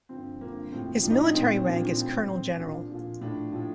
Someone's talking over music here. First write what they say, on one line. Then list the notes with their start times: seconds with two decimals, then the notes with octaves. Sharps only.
His Military rank is Colonel-General.
0.09 G2 D3 F3 C4
0.41 G2 D3 F3 A#3
0.72 A2 F3 C4
1.03 A2 F3 D4
1.10 D#4
1.17 D4
1.34 A#2 F3 C4
1.66 A#2 F3 D4
1.97 A2 F3 C4
2.28 A2 F3 C4
2.59 A#2 F3 D4
2.90 A#2 F3
3.21 A2 F3 D4
3.52 A2 F3